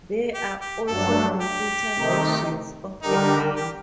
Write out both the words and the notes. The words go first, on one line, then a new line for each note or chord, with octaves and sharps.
There are also computer versions of the game.
G4
G4
G2 F#3 A3 D4 A4
G4
C3 D#3 A3 D#4
D3 G3 D4 D#4 G4 A#4
G4